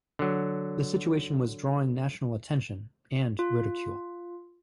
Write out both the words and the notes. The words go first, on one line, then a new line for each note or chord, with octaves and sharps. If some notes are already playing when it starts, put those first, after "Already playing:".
The situation was drawing national attention, and ridicule.
D3 F#3
F4